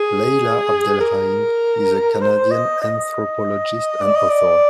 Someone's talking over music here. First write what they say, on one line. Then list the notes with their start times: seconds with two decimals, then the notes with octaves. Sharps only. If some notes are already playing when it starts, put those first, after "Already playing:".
Layla AbdelRahim is a Canadian anthropologist and author.
Already playing: G#4
1.00 A#4
2.21 C5
2.51 D#5
2.82 D#5
4.01 D5
4.16 D#5
4.30 D5